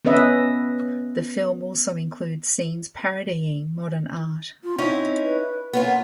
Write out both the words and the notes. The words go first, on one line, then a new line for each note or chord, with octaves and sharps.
The film also includes scenes parodying modern art.
B3 C#4 B4 D#5 E5
F4
C4 C#4 D#4 E4
B4
A#3 B3 C#4 F4